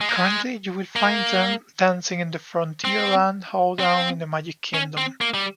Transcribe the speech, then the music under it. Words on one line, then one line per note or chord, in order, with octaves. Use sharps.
Currently, you will find them dancing in the Frontierland Hoedown in the Magic Kingdom.
G#3
A#3
G#3
A#3
C4
C4
C#4
C4
A#3
G3